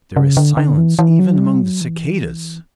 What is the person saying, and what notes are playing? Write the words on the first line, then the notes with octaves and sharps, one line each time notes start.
There is silence even among the cicadas.
C#3
D3
D3
E3
E3
F#3
G3
F#3
E3